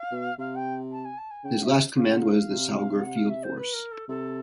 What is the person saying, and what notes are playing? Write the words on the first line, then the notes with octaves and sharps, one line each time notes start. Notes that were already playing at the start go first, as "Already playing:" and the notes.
His last command was the Saugor Field Force.
Already playing: F5
B2
C3 F5
G5
A5
G#5
A5
G#5
C#3 G5
E5
C#3 F5
F#5
F5
C3
F#5
F5
E5
C5
B4
A#4
A4
C3 A4